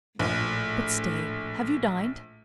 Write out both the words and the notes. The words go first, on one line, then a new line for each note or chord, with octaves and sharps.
"But stay--have you dined?"
A#1 A2